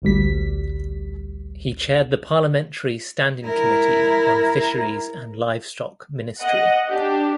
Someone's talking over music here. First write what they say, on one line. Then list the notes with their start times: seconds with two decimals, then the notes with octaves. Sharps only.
He chaired the parliamentary standing committee on fisheries and livestock ministry.
0.02 A1 D2 G3 B6
3.44 E4 A#4
6.39 D#5 F#5
6.88 D4 G4